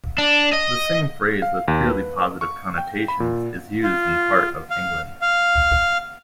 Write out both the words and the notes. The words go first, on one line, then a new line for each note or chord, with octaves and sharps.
The same phrase with purely positive connotations is used in part of England.
D4
D#5
F5
D#2
B4
C#6
G5
B5
A#2
F4
F5
F5